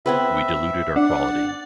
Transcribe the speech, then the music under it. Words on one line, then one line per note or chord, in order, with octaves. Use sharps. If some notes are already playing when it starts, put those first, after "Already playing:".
We diluted our quality.
B3 C4 B4 E5
D4 F#5